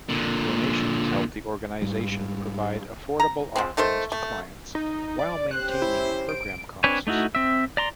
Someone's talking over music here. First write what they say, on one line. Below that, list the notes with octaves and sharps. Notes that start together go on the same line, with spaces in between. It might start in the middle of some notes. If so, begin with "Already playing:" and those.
Donations help the organization provide affordable offerings to clients while maintaining program costs.
A#2 D3
G#2 G3
A#5
F3 G#3 C4
D#3 A3 A4 C5
A3
D#4
D5
C#4 G4 C5 F#6
E4
D7
C4 D4 B4 C#5 G#5
A3 D#4 E4 F#4
C4 E5
D5 A#5 C6